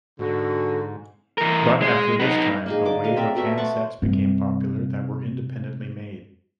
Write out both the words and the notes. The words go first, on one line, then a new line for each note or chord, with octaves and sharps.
But after this time, a wave of handsets become popular that were independently made.
G#2 D3 F#4
E3 A#4
G#3
B3 D#4
A#3 D#4 G#4
D3 D6
D#5 F5 G#5
C4 A#4 D5 E5
B2 A3 E5
C5 F#5 A5 C#6
G2 C3